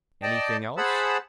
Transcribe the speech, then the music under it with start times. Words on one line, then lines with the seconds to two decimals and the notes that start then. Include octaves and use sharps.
"Anything else?"
0.23 D5 D#5 G5 A5
0.77 G#4 C5 F#5 A5 B5 E6